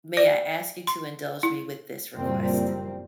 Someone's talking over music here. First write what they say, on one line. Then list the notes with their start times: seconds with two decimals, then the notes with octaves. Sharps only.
May I ask you to indulge me with this request?
0.17 D5
0.87 C6
1.43 E4
2.15 F#1 F2 A#2 G3 A#3 C4